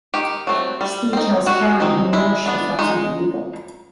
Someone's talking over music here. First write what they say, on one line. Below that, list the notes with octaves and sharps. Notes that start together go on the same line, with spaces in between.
Steve tells Karen he knows she felt something evil.
D#3 G4
F#3 A3 C4
G3
C4 D#4
G3 F#4
C4 D#4
G#3 E4
B3 D4
G#3 D#4